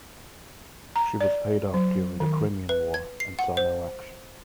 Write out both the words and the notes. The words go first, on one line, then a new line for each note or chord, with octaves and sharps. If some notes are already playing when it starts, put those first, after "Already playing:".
She was paid off during the Crimean War, and saw no action.
A#5
D5
F#3
D#3
B4
G#6
C7
F#5
C5